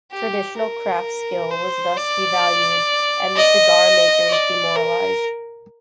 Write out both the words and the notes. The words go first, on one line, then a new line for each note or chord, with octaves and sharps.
Traditional craft skill was thus devalued and the cigar makers demoralized.
G4
A#4
C5
D5
D#5
D5
A#4